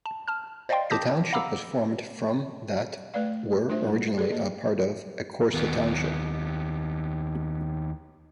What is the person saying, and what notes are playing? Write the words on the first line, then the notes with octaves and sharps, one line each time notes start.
The township was formed from that were originally a part of Ecorse Township.
A5
A5 F6
C5 D5 D#5 F5 G5 C6
A5 D6 D#6 G6 A#6 B6
F5 F#5 A#5 B5 D6 E6
A3 B4 D5 F5
A3 D4 F4 C5 E5
G3
G#4 A4 B4 D5
A#3 D#5
D#2 B3